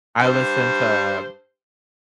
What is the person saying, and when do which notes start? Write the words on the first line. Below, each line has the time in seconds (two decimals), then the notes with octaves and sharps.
I listen to
0.20 G2 C5